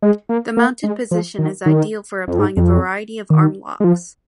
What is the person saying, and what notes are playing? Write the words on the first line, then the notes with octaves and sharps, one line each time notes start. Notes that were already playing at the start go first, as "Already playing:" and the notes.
The mounted position is ideal for applying a variety of armlocks.
G#3
A#3
A#3
G#3
F3
D#3
D#3
F2
G#2
F2
D#3
G#3
F3